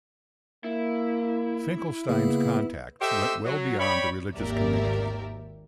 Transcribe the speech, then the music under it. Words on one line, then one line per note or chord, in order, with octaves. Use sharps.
Finkelstein's contacts went well beyond the religious community.
A#3 E4
C#3 A#3 B3 G#4
G4 A4 C5 D#5 E5
F#3
C#5 D5 G5 B5
G#1 D#2 G4 A#4 D5 E5